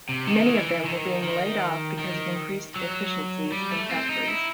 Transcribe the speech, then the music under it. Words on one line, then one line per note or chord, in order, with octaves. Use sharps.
Many of them were being laid off because of increased efficiencies in factories.
C3
D#3
E3
D#3
D#3
D#3
F#3
G3
A3
C4
D#4
E4